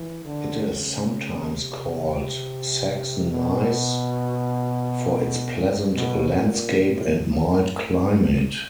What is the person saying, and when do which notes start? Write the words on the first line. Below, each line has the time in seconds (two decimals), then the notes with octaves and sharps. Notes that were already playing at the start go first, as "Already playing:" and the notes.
It is sometimes called "Saxon Nice" for its pleasant landscape and mild climate.
Already playing: E3
0.25 D3
0.69 C#3
1.56 C3
3.31 B2
5.94 B2
6.38 A#2
6.82 A2